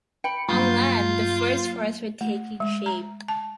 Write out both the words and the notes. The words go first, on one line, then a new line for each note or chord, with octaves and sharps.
On land, the first forests were taking shape.
G5 B5 C#7
G2 F#3 A#3 F4 G6
A3
G#3
A#5
A5